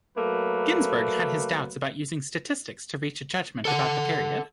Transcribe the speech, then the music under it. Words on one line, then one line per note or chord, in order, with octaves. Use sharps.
Ginzburg had his doubts about using statistics to reach a judgment about the period.
F#3 A3 A#3 B4
A4 F#5